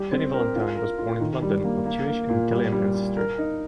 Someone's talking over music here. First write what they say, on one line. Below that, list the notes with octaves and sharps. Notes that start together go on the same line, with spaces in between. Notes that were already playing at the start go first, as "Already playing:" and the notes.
Penny Valentine was born in London, of Jewish and Italian ancestry.
Already playing: G3 G4
C4
A#4
F4
A#4
F4
D#3
G3
A#3
A#3
A#3
A#2
G3
G3
G3
A#4
D#4